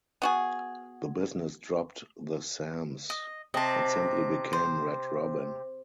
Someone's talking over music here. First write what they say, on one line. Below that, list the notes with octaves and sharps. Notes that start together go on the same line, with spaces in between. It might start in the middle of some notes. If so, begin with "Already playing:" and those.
The business dropped the "Sam's" and simply became Red Robin.
B3 F#4 G#4
D#5
C3 D#5 A5
C5